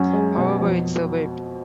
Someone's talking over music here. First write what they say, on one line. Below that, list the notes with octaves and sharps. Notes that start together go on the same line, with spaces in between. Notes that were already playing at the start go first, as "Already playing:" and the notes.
However, it survived.
Already playing: F#2 C#4 F#4
G#3
B2
F2